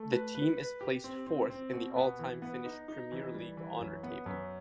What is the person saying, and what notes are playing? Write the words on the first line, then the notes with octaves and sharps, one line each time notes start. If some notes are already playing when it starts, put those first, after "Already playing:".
The team is placed fourth in the all-time Finnish premier league honour table.
Already playing: A3
B4
B4
B4
G4
C4
C4
C4
B2
B3
E3
B3
D#4
D#4
E3
G3
E3
F#2
B3
F#2